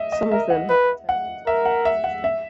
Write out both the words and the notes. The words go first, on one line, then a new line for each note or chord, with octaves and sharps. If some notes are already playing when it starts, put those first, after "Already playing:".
Some of them have been turned into bed and breakfast inns.
Already playing: D#5 E5
D#5
A#4 E5
F#5
B4
F#5
A#4 E5
F#5
E5
F#5
E5